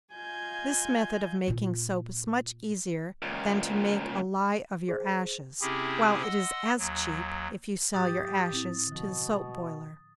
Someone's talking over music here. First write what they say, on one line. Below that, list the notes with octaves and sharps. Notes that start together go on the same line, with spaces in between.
This method of making soap is much easier than to make a lye of your ashes, while it is as cheap, if you sell your ashes to the soap-boiler.
F4 D#5 F5 G#5 G6 G#6
A#2 F4
C#2 A#2
G#4 C5
C3 C4 C#4 E4 G4 G#4
D#5 F#5 C6 E6
D#2 F#3
G#2 F#3 G4 D#6 A6
A2 C4 E4
B2 D3 F3